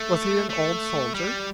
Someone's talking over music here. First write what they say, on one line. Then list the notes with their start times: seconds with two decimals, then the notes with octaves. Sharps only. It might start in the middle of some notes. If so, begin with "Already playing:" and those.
"Was he an old soldier?"
Already playing: A3
0.50 A3
1.14 G3